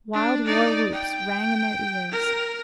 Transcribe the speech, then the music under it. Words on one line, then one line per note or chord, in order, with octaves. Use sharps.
Wild war-whoops rang in their ears.
D4
D#4 D5
G5
A#4